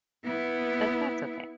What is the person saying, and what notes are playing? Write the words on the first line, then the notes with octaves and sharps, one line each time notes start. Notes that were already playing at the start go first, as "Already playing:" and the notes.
But that's okay.
B3 E4